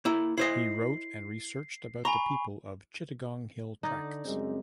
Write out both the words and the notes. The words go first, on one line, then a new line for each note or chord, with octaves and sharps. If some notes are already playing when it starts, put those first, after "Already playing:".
He wrote and researched about the people of Chittagong Hill Tracts.
A#3 E4
E4 C5 D#5 C7
G#5 A#5 B5 C#6
D3 D#4 D5
F#2 C#3 G3 G#3 C4